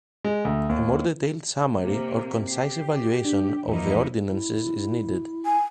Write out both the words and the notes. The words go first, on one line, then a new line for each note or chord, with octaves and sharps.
A more detailed summary or concise evaluation of "The Ordinances" is needed.
G#3
D2
D#2
C3 A#3
G4 C7
D4
E2 F3 A#3 D#4 E4
E4
G#5